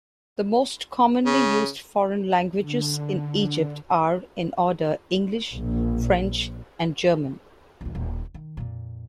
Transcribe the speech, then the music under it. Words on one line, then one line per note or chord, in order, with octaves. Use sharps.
The most-commonly used foreign languages in Egypt are, in order, English, French, and German.
C#3
D3
A#1
A#1 D#2
D#1
D#3
F2 A#2